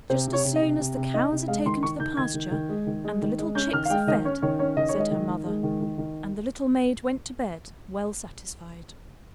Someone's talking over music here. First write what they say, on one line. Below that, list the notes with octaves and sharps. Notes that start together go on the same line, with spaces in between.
"Just as soon as the cows are taken to the pasture, and the little chicks are fed," said her mother; and the little maid went to bed well satisfied.
C3 C5
C3
C#5
C3
D#5
C3
C3
C3
D#4 D#5
C3
G#3 F5
D#3 C6
D#3 C#6
D#3 G6
D#3 G#6
D#3
D#3
G#3
D#3
G#3
D#3
G#3
C#4 G6
D#3 F6
F5
G#3 G5
D#3 D#5
C#4 C#5
D#3 C#5
C#4 C#5
D#3 D#5
G#3 C#5
D#5
D#3
D#3
G#3
D#3
D#3
D#3